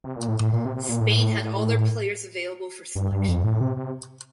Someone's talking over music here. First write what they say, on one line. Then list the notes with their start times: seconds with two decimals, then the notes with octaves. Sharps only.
Spain had all their players available for selection.
0.04 C3
0.16 A#2
0.28 A2
0.40 A2
0.53 A#2
0.65 C3
0.76 C3
0.89 A#2
1.01 A2
2.95 G2
3.12 G2
3.28 F2
3.44 A2
3.61 C3
3.76 C3